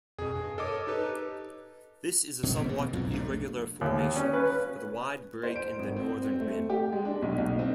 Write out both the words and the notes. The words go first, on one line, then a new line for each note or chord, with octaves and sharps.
This is a somewhat irregular formation with a wide break in the northern rim.
F2 B2 G#4
G2
A4 A#4 C#5 D#5 D6
D#4 G4 B4
B2
E1 F2 B2 A#3
B2
B1 F2 G#2
B1 C3 A3 D4
D#2
C#4
B4
C5
D7
G#1
C4
C4
A3
G4
G#3
D4
B1
B1
C4